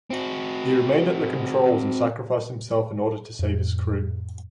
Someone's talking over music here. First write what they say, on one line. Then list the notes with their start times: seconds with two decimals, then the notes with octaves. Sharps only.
He remained at the controls and sacrificed himself in order to save his crew.
0.10 C4 F#4
3.39 F2 A2